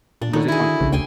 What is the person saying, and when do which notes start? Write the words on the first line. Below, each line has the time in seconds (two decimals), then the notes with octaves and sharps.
Was it called?
0.22 A#2 D4
0.33 A2 D3 D#3 D#4
0.48 E4 F#4 G#4
0.81 A#1 C#3
0.92 D2 G5 G#5 C6